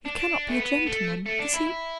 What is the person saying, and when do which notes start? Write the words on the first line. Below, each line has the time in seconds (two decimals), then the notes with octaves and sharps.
He cannot be a gentleman--is he?'
0.06 D4
0.48 A3
0.59 B3
0.86 A3
1.26 A3
1.39 D4
1.54 E4
1.67 E4